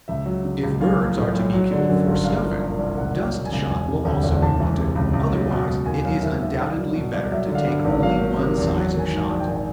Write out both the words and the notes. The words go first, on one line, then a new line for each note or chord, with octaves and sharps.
If birds are to be killed for stuffing, dust-shot will also be wanted; otherwise, it is undoubtedly better to take only one size of shot.
C#2 E5
F#3
C#3
C#2
B1 F5
F3
A2
B1
F#3
D3
F#2
G1
C2 F5
F3
A#2
C2
C#2 F#5
F#3
G5
B2
G#5
C#2
E1 G#5
C3
D2
E1
C#2 A5
E3
C3
C#2
C#2
F#3
B2
C#2
D#2 G#5
F#3 F5
D#3 E5
D#2 E5
C2 F5
F#3
B2
C2
F#3 E5
D3
F5
G2
G#1
F#3 F5
D#3
C3
E2
F#3 F#5
D#3
G#5
G#2
A5
A#1
G5
G#1 G#5